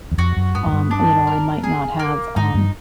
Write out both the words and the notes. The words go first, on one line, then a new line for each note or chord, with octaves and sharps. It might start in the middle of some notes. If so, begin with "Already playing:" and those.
um, you know, I might not have, um,
E2
F2 F#4
F#2
G2 B3
G#2
G2
D4
A#4
G#4
A#3
G#2 D#4
G2